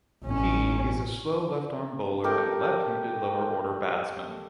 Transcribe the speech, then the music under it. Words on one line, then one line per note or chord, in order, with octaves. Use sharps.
He is a slow left-arm bowler and left-handed lower order batsman.
A1 C#4
A3 G4 A#4